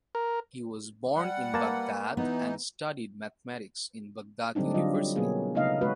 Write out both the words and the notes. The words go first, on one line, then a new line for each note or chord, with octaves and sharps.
He was born in Baghdad and studied mathematics in Baghdad University.
A#4
G3 F#5
A#3 B4 A5
E3 B3 D#4
D3 F#3 G3 C4 D4 D#4
D3 F#3 G3 F4 D#5
G3
B2 F#3 A#3 B3 C#4 G#4
C#3 A3 B3 D#4 D#5 F5
G#3 A3 C#4 F#4 B4